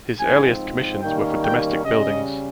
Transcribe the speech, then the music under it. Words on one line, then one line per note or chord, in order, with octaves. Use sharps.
His earliest commissions were for domestic buildings.
G#2 F3 C4 G#5
D#3 G3 A#3 C#4 G5
G5
C#3 G3 C#4 D#5